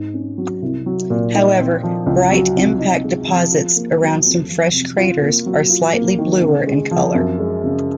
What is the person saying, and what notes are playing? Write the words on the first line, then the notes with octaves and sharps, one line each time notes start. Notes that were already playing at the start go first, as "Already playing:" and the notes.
However, bright impact deposits around some fresh craters are slightly bluer in color.
Already playing: G#2
C#4
F#3
C2
F#3
A#2
D#4
C4
F3
C#2
F#3
C3
D#4
G#3
F3
F4
A#3
F#3
F2
F3
C3
F4
A#3
F#3
F4
A#3
D#3
C#3
G#3
F3
F#2
G#3
C#3